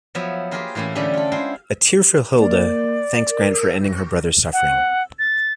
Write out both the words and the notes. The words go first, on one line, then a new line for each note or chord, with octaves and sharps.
A tearful Hilde thanks Grant for ending her brother's suffering.
F3 F#3 B3 C#5 E5
A#3 F4 G4 G#4 A#4 B4
A2 E3 A#3 C#4 E4
D3 E3 G3 A3 C#4 D4
F4 A4
G#3 E4 F4 C5 F#5 G5
A#3 D5
A#4
F#5
A6